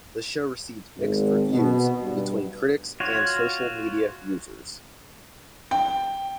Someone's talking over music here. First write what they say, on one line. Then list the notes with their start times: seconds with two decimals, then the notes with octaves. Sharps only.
The show received mixed reviews between critics and social media users.
0.97 G#1
1.53 B2
2.02 G2
3.00 F4 F#4 C#5
5.71 G5